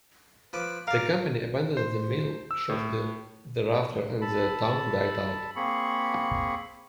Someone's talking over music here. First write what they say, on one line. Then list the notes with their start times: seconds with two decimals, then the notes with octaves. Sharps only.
The company abandoned the mill shortly thereafter and the town died out.
0.53 F3 B4 D6
0.87 A#4 D5 F5
1.77 C5
2.51 E6
2.69 A2
4.21 A4 A5 B5
5.56 A#3 C4 G#4 B5 C#6